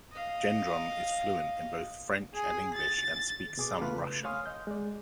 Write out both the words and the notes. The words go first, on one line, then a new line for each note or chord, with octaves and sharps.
Gendron is fluent in both French and English and speaks some Russian.
D#5 F5
G#4 G#5
A6
B2 G#4 D6
C#3 A3 F4 B4
C#5 F5 G#5 C6 D#6 F6
D#5 G6
G#3 D5